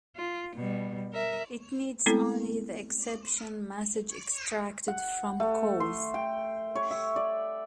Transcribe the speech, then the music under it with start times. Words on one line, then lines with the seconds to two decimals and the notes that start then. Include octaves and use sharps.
It needs only the exception message extracted from "cause".
0.16 F4
0.56 B2 G3
1.13 A#4 E5
2.06 G#3 A3 B3 C4 E4 A4
4.88 F#5
5.40 A3
5.80 C6
6.14 G5
6.75 C#5
6.91 E5
7.16 D5